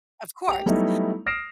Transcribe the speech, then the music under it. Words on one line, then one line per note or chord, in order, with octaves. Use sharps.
Of course.
G4 F7
F#3 G3 A3 B3 D#4 E4
D#6 F6 A#6 C7 D7 E7